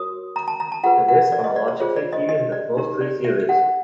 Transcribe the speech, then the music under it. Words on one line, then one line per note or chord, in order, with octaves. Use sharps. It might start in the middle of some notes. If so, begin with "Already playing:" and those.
That is, phonologically Tiwi has at most three series.
Already playing: F#4 A#4 C#5 D#6
A#5
A5
A#5
A5
F4 G#4 B4 F#5
F#5
D5
D#5
D5
C#5
F4 G#4 C5 C#5
D5
D#5
D#5
D5
D#4 G4 A#4 C#5
D5
E5
F#5